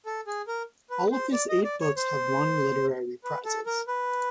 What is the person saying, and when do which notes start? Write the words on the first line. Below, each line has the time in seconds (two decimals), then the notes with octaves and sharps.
All of his eight books have won literary prizes.
0.06 A4
0.27 G#4
0.48 A#4
0.90 B4
1.12 C5
1.33 D5
1.49 D#5
1.64 D5
1.81 C#5
1.97 C5
3.24 B4
3.45 A4
3.66 A#4
3.87 B4